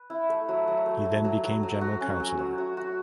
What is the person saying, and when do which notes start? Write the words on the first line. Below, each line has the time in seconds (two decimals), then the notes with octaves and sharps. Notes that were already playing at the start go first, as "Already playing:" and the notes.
He then became General Councillor.
Already playing: B4
0.10 E4
0.29 A3
0.49 F#3
0.68 F#3
0.86 A3
1.05 F#3
1.25 F#3
1.44 F#3
1.63 F#3
1.81 F#4
2.01 C#4
2.20 F#3
2.39 F#4
2.58 F#4
2.77 F#4